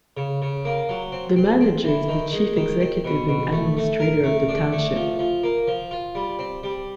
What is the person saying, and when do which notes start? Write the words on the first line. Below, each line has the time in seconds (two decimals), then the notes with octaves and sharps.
The Manager is the chief executive and administrator of the Township.
0.17 C#3
0.42 C#3
0.65 A#3
0.89 F#3
1.12 C4
1.36 C4
1.61 C4
1.85 E3
2.08 D#3
2.33 G#3
2.56 D#3
2.81 C4
3.05 B2
3.28 B2
3.52 A3
3.77 A3
4.00 A#4
4.24 A3
4.48 D4
4.72 A3
4.96 F3
5.19 F3
5.43 A#3
5.68 F3
5.91 F4
6.15 G3
6.39 C4
6.63 G3